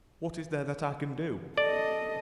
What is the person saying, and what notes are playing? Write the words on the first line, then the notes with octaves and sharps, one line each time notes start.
What is there that I can do?
A4 D5 D#5